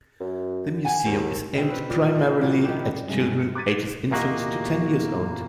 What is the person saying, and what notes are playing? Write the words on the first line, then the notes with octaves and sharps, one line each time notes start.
The museum is aimed primarily at children ages infant to ten years old.
F#2
F#5 G#5
D#2 C4
B2 C4
B4
A#2 G3
A#4 C5
A#2 E3 F#3 F#4
D#3 E4 G4
G2 C3 G#3
C#7
D6 F#6 G#6 A6 B6 D#7
E2 A#2 A#3 F#4 G4 D#5